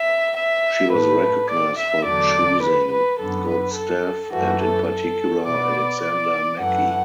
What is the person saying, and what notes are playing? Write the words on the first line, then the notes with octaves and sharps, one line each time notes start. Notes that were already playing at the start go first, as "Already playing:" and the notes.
She was recognised for choosing good staff and in particular Alexander Mackie.
Already playing: E5
E5
A2 A3 B4
D5
E5
E2 D3 F#3 A3 D5
B4
B4
F#2 D3 B3 A4
B4
A4
F#2 E3 A3 F#4
A4
A4
B2 B3 D5
D5
F#2 E3 A3 F#5